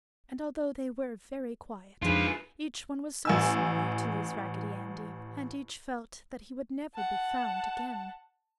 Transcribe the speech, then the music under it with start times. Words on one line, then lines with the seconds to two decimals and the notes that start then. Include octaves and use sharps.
And although they were very quiet, each one was so sorry to lose Raggedy Andy, and each felt that he would never be found again.
2.02 F2 F3 D4 D#4 F4 G#4 B4
3.25 A1 G#5 E6
6.94 F#5 A5